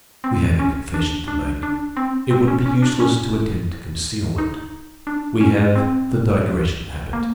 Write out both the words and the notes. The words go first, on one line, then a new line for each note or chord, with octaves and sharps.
We have a confession to make--it would be useless to attempt concealment--we have the Digression habit.
C4
C#4
D4
D4
D4
C4
C4
C#4
C#4
D4
C#4
D#4
D4
C#4
C4
A#3